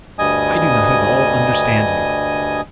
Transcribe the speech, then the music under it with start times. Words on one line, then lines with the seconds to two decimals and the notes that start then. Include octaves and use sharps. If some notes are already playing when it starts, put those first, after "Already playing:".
"I do not at all understand you!"
0.19 D2 G2 G3 D#5 G#5 D#6